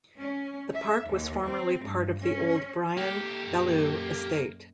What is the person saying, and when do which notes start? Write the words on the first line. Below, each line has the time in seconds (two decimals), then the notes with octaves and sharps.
The park was formerly part of the old Bryan-Bellew Estate.
0.18 C#4
0.74 E5
1.06 D#2
1.44 C4
1.84 G2
2.21 C#4
2.97 A#3 G4 A4
3.47 F#2 A#2